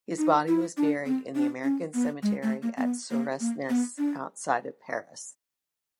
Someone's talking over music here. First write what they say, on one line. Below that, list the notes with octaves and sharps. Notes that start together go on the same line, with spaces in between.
His body was buried in the American cemetery at Suresnes, outside of Paris.
D#4
E4
D4
C4
D4
C#4
B3
G#3
A3
A#3
C4
B3
A#3
A#3
B3
D4